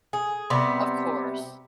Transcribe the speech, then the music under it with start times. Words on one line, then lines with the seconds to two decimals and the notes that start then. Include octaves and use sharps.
Of course.
0.13 G#4
0.50 C3 G3 B3